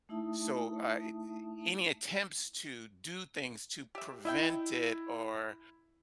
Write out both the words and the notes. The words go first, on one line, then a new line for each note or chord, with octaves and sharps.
So, uh, eh eh any attempts to do things to prevent it, or
A3 D#4 E4 E5 A5 D#6
G4 E5
E4 D#5 E5 G5